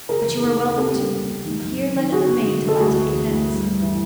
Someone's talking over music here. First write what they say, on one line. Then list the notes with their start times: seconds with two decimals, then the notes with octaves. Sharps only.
But you are welcome to it; and here let it remain till I take it hence.
0.09 C#3 G#4 A#4
0.26 E3
0.43 D#2
0.60 C#3
0.65 A#4
0.77 A#2 G4 A4
0.94 C2
1.11 A#2
1.27 A#2
1.44 D#3
1.62 F#2
1.78 F#2
1.96 D#3
2.12 D3 F#4 G#4
2.29 D3
2.46 D3
2.63 D3
2.69 A4
2.80 D2 F#4 G#4
2.97 D2
3.13 E3
3.31 D2
3.48 G2
3.65 G2
3.82 E3